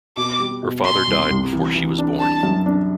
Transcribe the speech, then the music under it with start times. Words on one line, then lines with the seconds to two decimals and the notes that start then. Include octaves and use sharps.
Her father died before she was born.
0.17 B2 D6
0.40 G3
0.63 B2
0.85 B2 C6
1.08 C2
1.31 C2
1.53 E3
1.75 E3
1.98 D4
2.20 D4 A5
2.43 F#2
2.66 D4